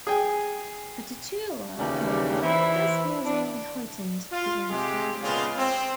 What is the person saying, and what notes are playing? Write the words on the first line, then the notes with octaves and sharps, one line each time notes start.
For "Tutuila", however, this news only heightened the anxiety.
G#4 G5
D#2 C#3 E3 D4 F#4 G4
E3 E4 C5
D4
F4
C3 G#3 G4
A#2 C#3 G#3 B3 C4 F4
C4